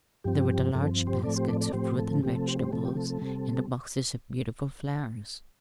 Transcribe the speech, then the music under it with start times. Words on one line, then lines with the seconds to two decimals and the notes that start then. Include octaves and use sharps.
There were the large baskets of fruit and vegetables, and the boxes of beautiful flowers.
0.24 G2 F3 C4 G4
0.74 G2 F3 C4 A4
1.07 G4 C5
1.23 A2 F3 A3 C4 A4 D5
1.36 G4 C5
1.48 A4 D5
1.61 A4 D5
1.73 A2 F3 A3 C4 G4 C5
1.99 A4
2.23 C3 F3 A3 C4 G4
2.36 A4
2.47 G4 C5
2.59 G4 C5
2.73 C3 F3 A3 C4 A4
2.85 G4
2.97 A4
3.10 A4
3.22 C3 G3 C4